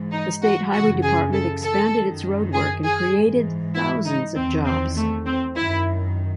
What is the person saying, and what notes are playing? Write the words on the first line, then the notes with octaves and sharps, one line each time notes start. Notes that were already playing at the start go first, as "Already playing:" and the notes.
The State Highway Department expanded its road work and created thousands of jobs.
Already playing: G#2 E3
D#4
F#4
F#2 C#3 E3 F#4
G#4
A4
A4
F#2 D#3
G#4
G#4
G#2 E3
E4
D#4
E2 D#3 C4
C4
A3
C4
F#2 D#3 E4